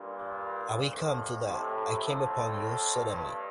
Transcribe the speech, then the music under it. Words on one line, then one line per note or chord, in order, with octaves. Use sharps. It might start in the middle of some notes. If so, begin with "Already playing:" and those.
I will come to that — I came upon you suddenly.
Already playing: G2 A#2
F2 A2
A2 C3
F2 A2
G2